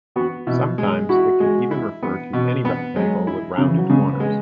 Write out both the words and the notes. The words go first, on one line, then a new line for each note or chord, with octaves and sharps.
Sometimes, it can even refer to any rectangle with rounded corners.
B3 F#4
B2 E4
G#3 G#4
E4 F#4
G#3
E4
B3
B2
B3
F#3 G#3
E4
C#3
E3
F#3
C#3 G#3
B3
G#3